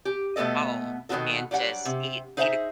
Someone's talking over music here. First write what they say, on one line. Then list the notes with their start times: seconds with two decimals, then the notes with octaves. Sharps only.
home and just eat eat a
0.05 G4
0.36 B2 A3 B3 A4 D#5
1.09 B2 D#3 F3 B3 F#4 A4
1.51 F#3 G3 D4 F#5
1.85 C3
2.37 D#4 G#4 C5 E5 F5 A#5